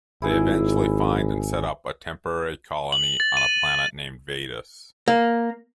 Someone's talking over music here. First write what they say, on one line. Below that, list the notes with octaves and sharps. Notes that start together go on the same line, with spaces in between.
They eventually find and set up a temporary colony on a planet named Vadis.
G#1 E4 G#4
F#7
A6
D#7
A#3